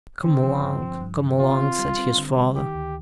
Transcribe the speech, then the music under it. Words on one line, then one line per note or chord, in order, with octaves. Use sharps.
"Come along, come along!" said his father.
D3 C4
F3
G2
F3
G2
D3
C4 F4
C4
G3
C4
D3
G3
D#3 G4
D2